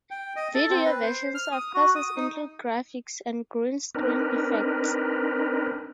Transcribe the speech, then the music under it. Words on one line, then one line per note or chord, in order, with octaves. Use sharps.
Video versions of courses include graphics and green screen effects.
G5
D#5
A4
C4
B4
C5
F6
D#6
F#4
D#6
D#4
C4 D4 D#4 A#4 B4